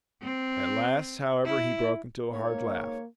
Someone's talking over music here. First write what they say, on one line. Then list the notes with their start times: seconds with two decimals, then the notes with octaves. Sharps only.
At last, however, he broke into a hard laugh.
0.22 C4
1.46 E4
2.31 G#2 A#3 C#5